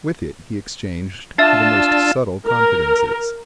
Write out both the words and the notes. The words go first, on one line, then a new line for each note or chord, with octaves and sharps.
With it he exchanged the most subtle confidences.
D4 F4 E5 A5 E6 A6 C7
A#4